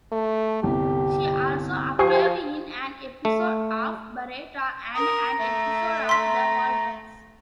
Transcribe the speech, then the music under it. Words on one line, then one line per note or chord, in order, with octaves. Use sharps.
She also appeared in an episode of "Baretta" and an episode of "The Waltons".
A3
G1 C2 G4
F3 G4 C5 G#5 C#6 D#6 C7
A3
A#4 A#5 D#6
A3 E5
A#5 C6 B6